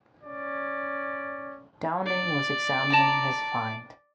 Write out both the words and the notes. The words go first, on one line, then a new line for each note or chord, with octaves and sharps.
Downing was examining his find.
C#4 D5
D5
A5 A#5 D6